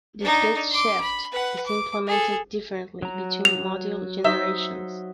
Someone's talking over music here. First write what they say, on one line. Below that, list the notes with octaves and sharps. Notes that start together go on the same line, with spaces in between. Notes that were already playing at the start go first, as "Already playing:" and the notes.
This bit shift is implemented differently between module generations.
D4 D#4
C6 D6
B5
B4 F#5
D6
G#4 A4
F#3 A#5
F7
D#4 C5 E5